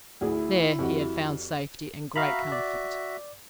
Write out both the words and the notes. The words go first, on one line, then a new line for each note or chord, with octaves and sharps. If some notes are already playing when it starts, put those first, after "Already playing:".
There he had found safety and great comfort.
D2 E4 G#4
F2 G3 F#4
F#4 E5 F5 A#5 B5
D5